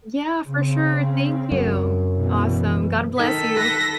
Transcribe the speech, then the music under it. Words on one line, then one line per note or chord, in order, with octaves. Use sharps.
Yeah, for sure, thank you. Awesome. God bless you.
C#3 C4
F#2
B2 E3
D#3 A4 B6
B4 A#6